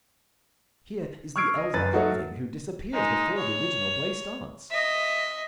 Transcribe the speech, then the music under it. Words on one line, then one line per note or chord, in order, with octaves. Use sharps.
Here is the elder Alving, who disappears before the original play starts.
C#6 E6 F6 G#6 C7 D7
D#5
F#2 B4 A6
F#3 A3 D#4 F#4
G#3 D#4
C#5
D#5 E5